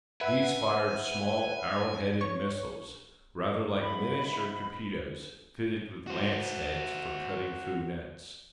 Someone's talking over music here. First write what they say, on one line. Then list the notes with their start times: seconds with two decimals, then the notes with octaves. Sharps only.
These fired small arrow-headed missiles, rather like miniature torpedoes fitted with lance-heads for cutting through nets.
0.21 B4 E5 F#5 G#5
2.21 C#5 C#6
3.80 E2 G#2 E5 B5
6.07 F#4 C5